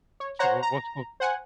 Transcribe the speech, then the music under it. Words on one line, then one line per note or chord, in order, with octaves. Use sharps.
So w what's co
C#5
C5 C#5 F#5 A#5
A#5
C5 F#5 G#5